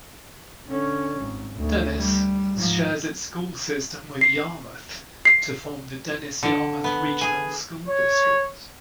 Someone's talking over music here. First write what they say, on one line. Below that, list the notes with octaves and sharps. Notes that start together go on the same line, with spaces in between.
Dennis shares its school system with Yarmouth to form the Dennis-Yarmouth Regional School District.
D3 C#4
G#1
D2
G3
G#2 F3
C7
C7
D3
B3
G#4
C#5